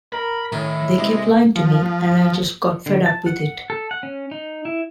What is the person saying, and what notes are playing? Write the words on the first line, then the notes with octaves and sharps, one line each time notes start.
They kept lying to me... and I just got fed up with it.
A#4 B5
A2 D#3 C#4 E4
C3 G#3
F3
D3
A5
F#5
A4
F#5
C#4
D#4
E4